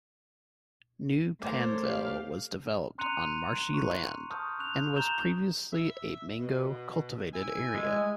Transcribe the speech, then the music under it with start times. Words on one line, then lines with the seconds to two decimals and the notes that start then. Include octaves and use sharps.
New Panvel was developed on marshy land and was previously a Mango cultivated area.
1.42 A3 A#4 C5 C#5 D6
1.82 G4 F5
2.98 A#5 C6 F#6 C#7 D#7 F7
3.74 C#6 F#6
4.30 A5 C#6 D#6 F6 G6
4.58 C#6 F#6 F7
4.96 A#5 G6 E7 F7 G7
5.72 E5
6.37 B2
7.34 E4 E5 G#5
7.75 G#3